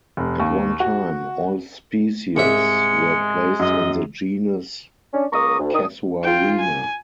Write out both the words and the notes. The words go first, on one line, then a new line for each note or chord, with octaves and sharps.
At one time, all species were placed in the genus "Casuarina".
F1
D#2
F#4
C2 G#2 G#3 E5 C#7
F#2 D#5
C#4 D4
C#2 A#3 A#5 C#6 D#6
D2
D#3 D4 D#6
F4 G5
G#5